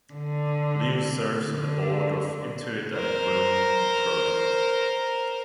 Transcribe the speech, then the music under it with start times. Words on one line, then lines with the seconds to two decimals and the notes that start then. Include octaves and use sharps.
Liu serves on the board of Intuit and Women in Product.
0.13 D3
1.42 D3
2.95 A#4 C5